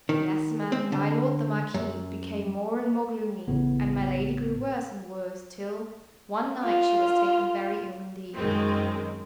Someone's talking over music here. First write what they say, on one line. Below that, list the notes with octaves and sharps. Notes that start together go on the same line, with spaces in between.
'Yes, madam, my lord, the Marquis, became more and more gloomy; and my lady grew worse and worse, till, one night, she was taken very ill, indeed.
D#3
C4
D3
F#2
A1 A2 C#3 B3
F4
F#2 D#3 G#3 C4